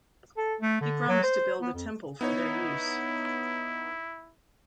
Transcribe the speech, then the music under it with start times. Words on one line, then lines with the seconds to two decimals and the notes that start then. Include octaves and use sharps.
He promised to build a temple for their use.
0.37 A4
0.61 A3
0.81 D3
1.09 F#3
1.23 C5
1.61 B3
1.74 F2
2.21 B3 D#4 E4 C#5